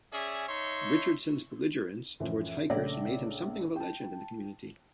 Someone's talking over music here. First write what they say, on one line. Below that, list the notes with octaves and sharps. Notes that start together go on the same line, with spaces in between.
Richardson's belligerence toward hikers made him something of a legend in the community.
C#4 G#4 D5 E5
D#4 C#5 E5 C6
F#2 A2 E3 F3
A#1 C#3 A3 C#5 D5 A#6
G5 A5